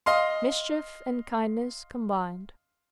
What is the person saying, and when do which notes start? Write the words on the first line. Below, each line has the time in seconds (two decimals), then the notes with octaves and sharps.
Mischief and kindness combined.
0.06 D#5 F5 C6